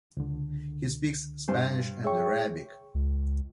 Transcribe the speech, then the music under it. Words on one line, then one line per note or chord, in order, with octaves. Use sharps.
He speaks Spanish and Arabic.
C#2 D3
G2 C5
G#4 C#5 E5 G5 C#6
C#2